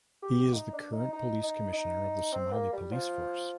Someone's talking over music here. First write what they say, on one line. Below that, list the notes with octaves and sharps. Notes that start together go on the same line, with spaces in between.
He is the current Police Commissioner of the Somali Police Force.
G4
D#4
D4
D#4
D#4
D#4
D#4
C4
A#3
G3
F3